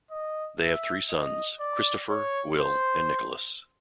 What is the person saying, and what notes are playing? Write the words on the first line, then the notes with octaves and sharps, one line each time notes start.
They have three sons: Christopher, Will, and Nicholas.
D#5
E5
D#5
D5
C#5
C5